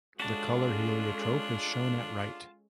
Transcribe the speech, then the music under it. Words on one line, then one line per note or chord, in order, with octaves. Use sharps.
The color heliotrope is shown at right.
G#3 C#4 D4 F4 F#4 A4 A5